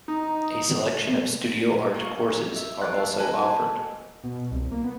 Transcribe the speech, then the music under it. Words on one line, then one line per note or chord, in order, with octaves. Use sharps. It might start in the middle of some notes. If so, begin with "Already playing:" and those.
A selection of Studio Art courses are also offered.
D#4
A#3 G5 C#6
E5
A3 F4 D6 F#6
B4 D#5 G#5 A5
B2
B2
C2
A#3
B3